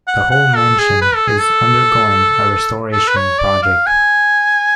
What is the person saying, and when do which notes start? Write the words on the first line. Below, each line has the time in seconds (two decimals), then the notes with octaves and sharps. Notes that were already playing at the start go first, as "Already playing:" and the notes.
The whole mansion is undergoing a restoration project.
0.07 F#5
0.32 F#5
0.55 A4
0.79 G#4
1.02 B4
1.15 A4
1.28 G#4
1.40 A4
2.92 A4
3.08 B4
3.16 C#5
3.39 D5
3.63 F5
3.87 G#5